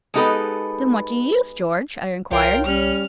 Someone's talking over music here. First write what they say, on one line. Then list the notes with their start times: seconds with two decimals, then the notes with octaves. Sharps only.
"Then what do you use, George?" I inquired.
0.14 G#3 B3 D#4 G4 A4 B4
2.31 C2 F4 A#4 C#5 G5
2.66 G3 C#4 F6